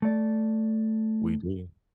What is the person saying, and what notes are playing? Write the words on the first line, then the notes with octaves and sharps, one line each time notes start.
We do.
A3 D5